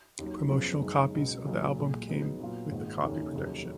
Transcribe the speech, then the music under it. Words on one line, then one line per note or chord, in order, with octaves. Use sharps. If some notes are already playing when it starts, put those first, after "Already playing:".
Promotional copies of the album came with copy protection.
D#2 D#3 F#3
F#2 C#3 F3 B3
F#1 F#2 D#3 G#3
C#2 B2 F#3
B1 A#2 F#3
B1 A#2 G#3
C#2 C#3 F#3 B3 D#4
A#2 F#3 B3 F4
G#1 G#2 D#3 A#3 F4
F1 D#2 D#3 A#3 C#4
F1 D#2 C#3 F#3